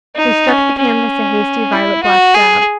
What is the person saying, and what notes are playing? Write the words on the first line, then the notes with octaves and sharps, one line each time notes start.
He struck the canvas a hasty violet-black dab.
D#4
C#4
C#4
E4
F#4
G#4